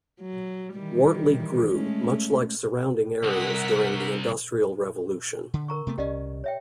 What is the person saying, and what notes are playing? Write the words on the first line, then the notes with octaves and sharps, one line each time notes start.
Wortley grew, much like surrounding areas during the industrial revolution.
F#3
D#3 E3 G3
G#3 A3 C#4
C2 A#4 F#5 B6
D3
A#4 A#5 C#6
C3 A3 B3
C2 C#4 G4 D5 D#5
C#5 E5 G5